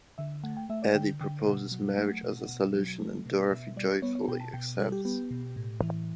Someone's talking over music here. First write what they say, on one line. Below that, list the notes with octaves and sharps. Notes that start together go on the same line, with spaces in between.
Eddie proposes marriage as a solution and Dorothy joyfully accepts.
D3 E5
A3 F#5
G5
A3 E5
D5
D3 G5
D3 G5
B2 F#5
F#3
A3
B2
B2
F#3
A3
B2
B2 E5
G3 D5
B3 C#5
C#5
B2 G5
A5
B2 G5
G3 A4
G4
B3 G4
B2
A2
E3